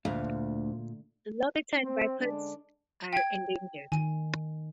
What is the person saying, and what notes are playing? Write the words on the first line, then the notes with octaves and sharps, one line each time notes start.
Lebetine vipers are endangered.
D2 A#2 F5
C4
D3 G#3 C#4 D4
G5 G#6
D#3 G#5